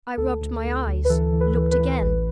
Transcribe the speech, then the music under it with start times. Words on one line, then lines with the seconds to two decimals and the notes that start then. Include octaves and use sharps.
I rubbed my eyes; looked again.
0.17 D2 A4
0.41 D2
0.64 D2
0.86 D2
1.05 B4
1.09 E3 A4
1.32 E3
1.41 B4
1.56 E3
1.72 B4
1.79 E3
2.02 A1